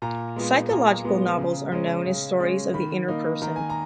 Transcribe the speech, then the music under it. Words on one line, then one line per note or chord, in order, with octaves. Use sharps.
Psychological novels are known as stories of the inner person.
A#2 A#5
G#3 B3 F4
A#2 A#5
G#3 B3 F4
C#3
G#3 C#4
C#3
G#3 C#4
D#3 B5
A#3 D#4
D#3 A#5
G#5
A#5